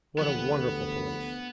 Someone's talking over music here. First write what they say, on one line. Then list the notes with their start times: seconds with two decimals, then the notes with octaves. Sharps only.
What a wonderful Police!
0.18 D2 E3 F3 B3 G4